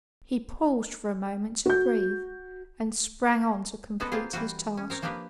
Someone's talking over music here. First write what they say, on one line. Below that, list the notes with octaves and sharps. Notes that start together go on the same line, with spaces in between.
He paused for a moment to breathe, and sprang on to complete his task.
F#4 G6
G#3 B3 F#4 A4 B4
A#3 C4 F4 G4 G#4
E3 G3 F4 F#4
C#4
C4 A#4 C#5
F3 A#3 D4 G4 A#4 B4